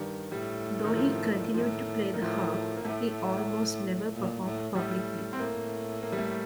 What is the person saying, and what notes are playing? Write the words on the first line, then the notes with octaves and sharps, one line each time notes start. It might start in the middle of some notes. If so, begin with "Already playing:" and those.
Though he continued to play the harp, he almost never performed publicly.
Already playing: G2 D#3
A2 G3
D#3
F3
F3
A2 D#3
D#3
A2 F3
A#3
A2 A3
A#2
A2
A2 G3
C4
A2 A#3
A#3
G3
A3